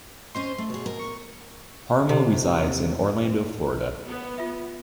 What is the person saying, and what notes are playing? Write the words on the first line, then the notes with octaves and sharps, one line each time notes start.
Harmel resides in Orlando, Florida.
C#4 C5 D#5 C6
A3
B2 G#4 C#5
A#4
C#6
C3
B3
F4 E5